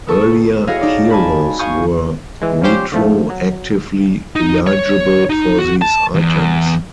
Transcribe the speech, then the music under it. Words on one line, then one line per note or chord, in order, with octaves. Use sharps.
Earlier heroes were retroactively eligible for these items.
B3 A4 C#6 D#6
E4 F#4 G#4 C#5 D#5 F5
D#4 D5 D#5
G#5 A5 B5
F5 G#5 C#6 D#6 G6
E3 G#3
F3 G3 C#4 G4 C5
D3 F3 A3
F#3
D#4
C#5
D#4
F#4
A5
E2